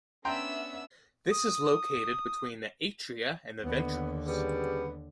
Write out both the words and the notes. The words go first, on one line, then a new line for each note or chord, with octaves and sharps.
This is located between the atria and the ventricles.
B3 C#4 D4 E5 G5 A#5 C6 E6
D#6
D#2 D3 B3
C#3 G3 B3